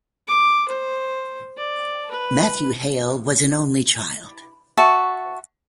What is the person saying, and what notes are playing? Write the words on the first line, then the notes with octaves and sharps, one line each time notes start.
Matthew Hale was an only child.
D6
C5
D5
B4
F#4 E5 A5 C#6